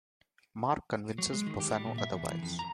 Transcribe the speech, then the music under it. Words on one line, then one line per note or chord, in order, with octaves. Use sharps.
Mark convinces Boffano otherwise.
F#3
G#3
D#3
G4
G3
A#2
E5
E2
E3
F2
A#5